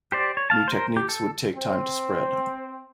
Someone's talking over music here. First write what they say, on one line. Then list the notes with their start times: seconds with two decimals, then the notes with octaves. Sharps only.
New techniques would take time to spread.
0.12 G4 C5 D5
0.37 C#5
0.50 F5 A5
0.68 A#4 C5
0.97 G4
1.09 A4
1.56 C4